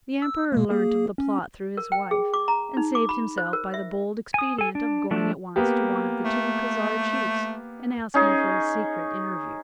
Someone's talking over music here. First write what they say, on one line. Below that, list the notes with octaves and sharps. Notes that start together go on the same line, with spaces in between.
The emperor learnt of the plot through his wife, and saved himself by the bold expedient of going at once to one of the two Khazar chiefs and asking for a secret interview.
E6
B2 G#3 A#3
A#3 G#4
C#4
A#4
G5
G#4
D6
A#5
D#4
D6
B5
C5
A#4
E5
G#5 D#6
A4 G#5
D4
F3 A3 D4
A#3 B3 G4
A3
C#4 D#4 G#4